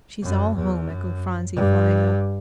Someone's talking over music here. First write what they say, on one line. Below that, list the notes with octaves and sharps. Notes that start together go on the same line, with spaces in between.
"She's all home," echoed Phronsie, flying up.
F#2
E2
F#2
G2